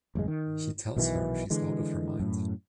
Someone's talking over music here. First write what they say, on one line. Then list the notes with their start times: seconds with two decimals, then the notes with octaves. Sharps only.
He tells her she is out of her mind.
0.15 A1 F#2 C#3 G#3
0.28 D#3
0.96 B1 B2 D#3 E3
1.50 D3 E3 G#3
2.20 F#2 A2